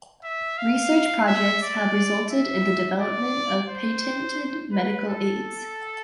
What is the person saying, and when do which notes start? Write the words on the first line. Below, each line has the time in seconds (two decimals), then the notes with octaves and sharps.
Research projects have resulted in the development of patented medical aids.
0.24 E5
0.58 F5
1.27 E5
1.62 D5
2.31 E5
3.00 D5
3.69 C5
4.72 B4
5.08 A4